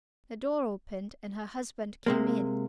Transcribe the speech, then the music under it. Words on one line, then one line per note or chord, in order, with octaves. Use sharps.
The door opened and her husband came in.
C3 G#3 A#3